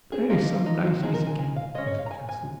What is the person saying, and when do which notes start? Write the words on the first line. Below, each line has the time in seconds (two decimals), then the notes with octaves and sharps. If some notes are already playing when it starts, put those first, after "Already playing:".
"Play some nice, easy game," he suggested.
0.12 G#4
0.29 F3 A#3 D#4 F4
0.41 D#4
0.54 F4
0.66 D#4
0.84 F4
1.02 F3 G#3 D#4 G#4
1.14 A#4
1.27 G#5
1.39 G#5
1.56 F5
1.75 G#3 C#4 D#5
1.87 C#5
1.99 F5
2.06 A#5
2.11 G#5
2.29 G#5